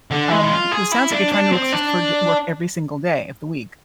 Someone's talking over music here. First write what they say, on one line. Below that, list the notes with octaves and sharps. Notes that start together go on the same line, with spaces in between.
Um, it sounds like you're trying to look y for ju work every single day of the week.
D3
G#3
E4
F4
G#4
E4
D4
D4
C4
D4